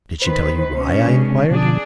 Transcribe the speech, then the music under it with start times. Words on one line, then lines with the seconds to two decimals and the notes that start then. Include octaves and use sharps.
'Did she tell you why?' I inquired.
0.22 D#3 B4 C5
0.76 B2 C#4 D4
1.08 C3 G#3
1.51 B2 D3 F3 D4 G#4 D5